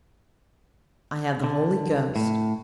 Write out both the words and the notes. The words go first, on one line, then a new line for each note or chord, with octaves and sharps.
I have the Holy Ghost.
D3
A2